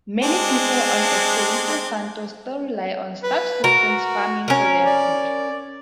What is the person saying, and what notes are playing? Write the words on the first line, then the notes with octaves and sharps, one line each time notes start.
Many people on Espiritu Santo still rely on subsistence farming for their food.
G#3 C4 D4
B4
F#4 A#4
C#4 A#4
D5